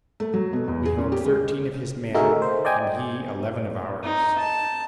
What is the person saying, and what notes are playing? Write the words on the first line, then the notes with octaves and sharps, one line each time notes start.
We held thirteen of his men, and he eleven of ours.
A3
F#3
B2
E2
G#4
C#4
G4
G#3
A3 D#4 F#4 G#4 A#4 E5
C5
D5 D#5 G5 G#5
D#4
A5